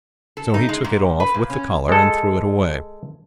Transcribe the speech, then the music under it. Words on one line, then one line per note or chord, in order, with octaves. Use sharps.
So he took it off with the collar and threw it away.
A4
D#4
G#3
G#2
B4
A#2
C#4
G#3 A4